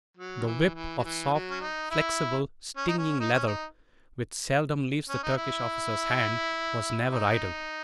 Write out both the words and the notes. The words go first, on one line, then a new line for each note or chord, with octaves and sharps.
The whip of soft, flexible, stinging leather, which seldom leaves the Turkish officer's hand, was never idle.
F#3
D#3
E3
E3
F#3
E3
F#3
C#4
D#4
E4
C#4
D#4
C#4
D#4
C#4
D#4
C#4
D#4
E4
D#4